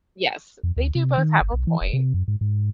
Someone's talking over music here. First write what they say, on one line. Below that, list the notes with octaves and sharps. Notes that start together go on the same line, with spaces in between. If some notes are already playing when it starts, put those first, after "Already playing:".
Yes, they do both have a point.
F2
D2
C3
D#3
G1
B1
E3
E1
C3
F#2
G#2
G#2